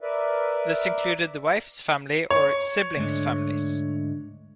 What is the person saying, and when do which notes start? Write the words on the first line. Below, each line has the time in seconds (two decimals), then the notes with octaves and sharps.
This included the wife's family or siblings' families.
0.01 A#4 B4 D5 E5
2.30 C#5
2.97 D2 G#2 D3